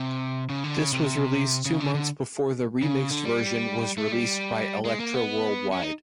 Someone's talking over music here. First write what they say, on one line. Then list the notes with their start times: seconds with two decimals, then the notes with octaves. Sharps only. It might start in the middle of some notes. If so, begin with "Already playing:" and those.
This was released two months before the remixed version was released by Elektra worldwide.
Already playing: C3
0.50 C#3
0.64 D3
0.79 C#3
0.93 C3
1.66 C#3
1.80 D3
1.94 D3
2.82 C#3
3.11 D3
3.25 G3
3.98 A3
4.12 G3
4.85 G#3
5.00 A#3
5.14 B3
5.73 C#4
5.82 D#4